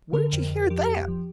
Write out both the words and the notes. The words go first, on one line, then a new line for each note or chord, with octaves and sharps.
"Where'd you hear that?"
D3 A#4
F2
F2
F3 G4
F2
F3